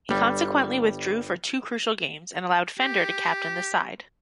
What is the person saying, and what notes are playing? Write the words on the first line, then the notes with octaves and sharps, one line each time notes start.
He consequently withdrew for two crucial games, and allowed Fender to captain the side.
G1 G3
G4